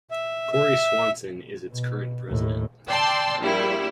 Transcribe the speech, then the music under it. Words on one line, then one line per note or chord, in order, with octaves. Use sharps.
Kory Swanson is its current president.
E5
E5
B2
D#2 A2
D5 G5 A5 C6 E6
A#1 G3 E4